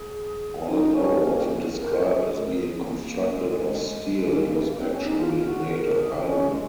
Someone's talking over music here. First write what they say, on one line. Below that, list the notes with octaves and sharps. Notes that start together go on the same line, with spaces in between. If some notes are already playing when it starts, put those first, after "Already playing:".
Although often described as being constructed of steel, it was actually made of iron.
Already playing: G#4
D#4
C#4
A#3
A#4
G#4
A#4
G#4
A#3
A#3
G#3
G#3
G#3
A#3
A#3
C4
C#4
D#4
F4
F#4
A#4
G#4
C#4
G#3